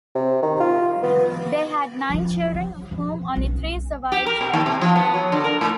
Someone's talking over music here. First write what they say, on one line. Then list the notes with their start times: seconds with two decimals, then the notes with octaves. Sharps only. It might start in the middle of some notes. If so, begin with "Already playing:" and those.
They had nine children, of whom only three survived childhood.
0.15 C3
0.43 D#3
0.60 F4
1.03 B3
2.10 F3 F4
2.54 F#3
2.91 B2 F3
3.35 B1 C#4
4.12 G4
4.26 A#4
4.41 B2
4.54 D#2
4.66 C3
4.81 F3
4.96 B3
5.14 F#3
5.32 D3
5.44 A#4
5.61 A2